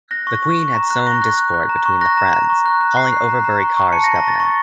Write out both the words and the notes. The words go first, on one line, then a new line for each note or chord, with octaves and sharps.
The Queen had sown discord between the friends, calling Overbury Carr's governor.
F#6 A#6
C#6
C#6
C#6
A#5
F#6
C#6 A#6
F#6
F#6
F#6
A#5
C#6
F#6 A#6
A#5
A#5
C#6
F#6
F#6
C#6 C7
F#6
A#5
A#5
C#6
C#6
A5 C#7
A#6
A5
A#6
C#6 A6
C#6 A#6